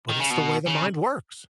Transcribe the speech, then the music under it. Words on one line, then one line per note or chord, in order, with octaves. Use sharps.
But it's the way the mind works.
D#3
C#3
B2
C#3